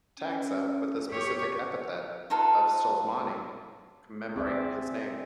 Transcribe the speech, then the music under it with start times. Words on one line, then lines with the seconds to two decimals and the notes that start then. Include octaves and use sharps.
Taxa with the specific epithet of "stolzmanni" commemorate his name.
0.20 C#4
1.09 G4 C#5
2.30 D#4 F4 A4 B4
4.36 C4 G#4 D5 E5